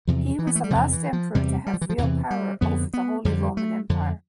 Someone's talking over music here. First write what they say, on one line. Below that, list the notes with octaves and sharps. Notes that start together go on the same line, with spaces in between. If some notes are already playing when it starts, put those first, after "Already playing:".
He was the last emperor to have real power over the Holy Roman Empire.
E2 C3 F3
E3
B3
A3
G3
E2 C3 F3
E3
F3
E2 C3 G3
G3
F3
E3
F3
E2 C3 E3
G3
F2 D3 B3
B3
F2 D3 G3
A3
F2 D3